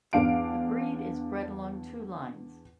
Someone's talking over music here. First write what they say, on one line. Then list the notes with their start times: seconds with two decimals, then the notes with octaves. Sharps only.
The breed is bred along two lines.
0.13 E2 D4 F5 D7